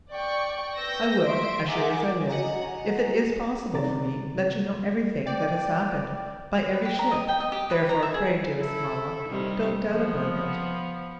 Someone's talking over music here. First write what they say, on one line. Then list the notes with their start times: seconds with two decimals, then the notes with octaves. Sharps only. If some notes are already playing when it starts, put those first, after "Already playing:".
I will, as sure as I live, if it is possible for me, let you know everything that has happened, by every ship; therefore pray, dearest Mamma, don't doubt about it.
0.11 D5 G5 C#6
0.76 B4 E6 G6 A#6
1.24 E5 C6 D7
1.68 G#4 A#4 E5 F#5 A#5 D6
2.29 F#4 D#5 F#5 G#5 A#5
3.74 C3 D#3 D5 A#5 A6
5.27 D5 G5
6.73 B4
6.85 G4
6.99 A#5
7.11 D#5
7.28 G5
7.40 D#5
7.52 G4
7.70 B4
7.89 A#5
8.02 E5
8.14 G#4
8.60 E4 A4
9.28 C3 D#3 G3
9.86 F3 B3